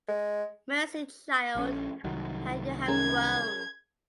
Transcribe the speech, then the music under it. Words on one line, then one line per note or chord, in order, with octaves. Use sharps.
Mercy, child, how you have grown!
G#3
A#1 C#4
C2 D#3 F#3
C#4 G#4 A#4 G#6